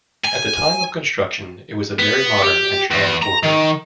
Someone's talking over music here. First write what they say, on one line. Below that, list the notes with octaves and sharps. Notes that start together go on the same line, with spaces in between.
At the time of construction it was a very modern and strong fortress.
G#5
B3
G4
E2
A#5
D#3